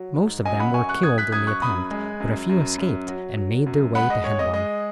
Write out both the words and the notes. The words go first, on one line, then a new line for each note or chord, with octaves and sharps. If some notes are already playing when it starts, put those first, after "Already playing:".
Most of them were killed in the attempt, but a few escaped and made their way to Hennebon.
Already playing: F#3
G#2
F#2 D#5 G#5
F#5 B5
F#2 G#5 C#6
C#6 F#6
F#2 D#6 G#6
F#6 B6
F#2 D#6 G#6
C#6 F#6
F#2 B5 D#6
G#3
F#2
F#2
F#2
F#3
F#3
F#2
G#3 F#5 B5
D#5
G#3 C#5
D#5
G#3 D#5